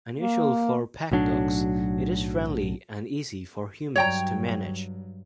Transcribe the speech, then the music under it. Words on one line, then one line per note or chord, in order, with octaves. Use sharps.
Unusual for pack dogs, it is friendly and easy for humans to manage.
A#3
B1 A2 F#3 D4
G2 F#3 C#5 G5 A#5